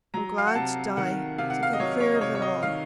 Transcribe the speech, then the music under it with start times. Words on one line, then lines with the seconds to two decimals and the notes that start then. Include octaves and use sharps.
I'm glad to die--to get clear of it all.
0.14 F#3 A#5
0.38 F5
0.47 F#5
0.55 C3 A5
0.97 D#3 F#5
1.38 C3 F5
1.50 F#5
1.63 F5
1.73 D#5
1.80 F#3 C#5
2.00 C#5
2.14 D#5
2.21 C3 C#5
2.35 C#5
2.42 D#5
2.63 D#3 F5